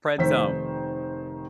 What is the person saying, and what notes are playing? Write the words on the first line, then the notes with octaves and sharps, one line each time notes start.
Friend zone.
F1 D#3 C5 B6